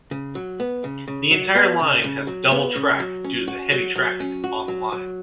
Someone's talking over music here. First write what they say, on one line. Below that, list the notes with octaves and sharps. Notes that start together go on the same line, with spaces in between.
The entire line has double track due to the heavy traffic on the line.
C#3
F#3
B3
C#3
C#3
F#3
B3
C#3
C#3
F#3
B3
C#3
F#3
C#4
F#4
F#3
F#3
C#4
F#4
F#3
F#3